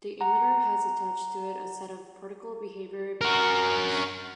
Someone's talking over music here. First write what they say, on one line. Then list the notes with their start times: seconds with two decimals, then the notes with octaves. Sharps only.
The emitter has attached to it a set of particle behavior parameters.
0.21 F#5 A#5
3.21 F#4 A#4